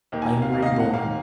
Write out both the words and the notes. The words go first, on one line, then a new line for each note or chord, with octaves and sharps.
I am reborn.
D#2 D#3 A#3
G#5
F5
D#2 D#3 A#3 F5
D#5
F5
F#5
D#2 D#3 A#3 F5